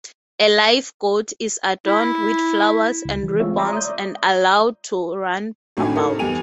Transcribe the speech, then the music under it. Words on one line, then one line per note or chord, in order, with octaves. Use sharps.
A live goat is adorned with flowers and ribbons and allowed to run about.
E4
C#2
E3
G#3 A3 C4 F4 C#5 E5
C#5 D5 E5 A#5 C6
D#6 G6
D5
G#1 A2 D4 D#4 F#4 G#5
D#4 A4 A#4
E2 G3 B3 G#5 D#7 F7